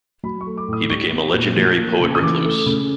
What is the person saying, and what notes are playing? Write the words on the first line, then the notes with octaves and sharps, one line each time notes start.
He became a legendary poet-recluse.
F#3 B5
C#6
A3
D6
A2 D#6
G3 C#6
B3
A#2
F3
A#3
C#3
D#6
E3 D6
A3
C#3